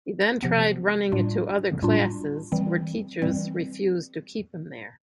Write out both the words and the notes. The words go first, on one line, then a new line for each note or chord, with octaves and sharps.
He then tried running into other classes were teachers refused to keep him there.
C3 F3 B3
A2 G3 D4 F4
A2 G3 D4 F4
E3 G3 C4
E3 G3 C4